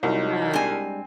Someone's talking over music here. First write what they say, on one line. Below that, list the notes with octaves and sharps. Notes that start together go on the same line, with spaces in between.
Mm, ah.
C2 F#3 D#4 F4 F#4
G3 G#3 C4 D4 G#5